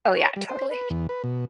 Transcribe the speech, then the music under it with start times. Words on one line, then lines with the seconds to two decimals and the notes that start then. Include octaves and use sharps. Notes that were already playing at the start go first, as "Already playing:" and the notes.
Oh, yeah, totally.
0.17 C#5
0.36 G3
0.49 C5
0.71 B4
0.90 E2
1.09 B4
1.24 B2